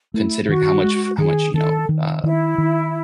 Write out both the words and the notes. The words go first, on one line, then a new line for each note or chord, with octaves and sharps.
considering how much fu how much, you know, uh,
A3 E4
E4
D#3 F#4
G#3
D#3 G#4
D#3 A4
D#3
D#3 E4
D#3